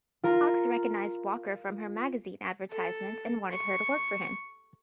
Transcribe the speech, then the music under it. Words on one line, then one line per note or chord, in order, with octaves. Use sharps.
Hawks recognized Walker from her magazine advertisements and wanted her to work for him.
F4 A#4
A4
C#6